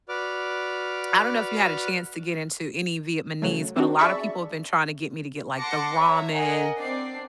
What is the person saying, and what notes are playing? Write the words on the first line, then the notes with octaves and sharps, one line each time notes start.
I don't know if you had a chance to get into any Vietnamese, but a lot of people have been trying to get me to get, like, the ramen,
F#4 B4 D5 D6 F6
C#3 F#3 A3
C4 D4 F#4
G#4 D5 E5 A5 B5 C#6
F#5 A5 C6 D6 A#6 C#7
C#5 E5 A#5
A#4 D#5 F#5 G#5
C4 D4 D5 C7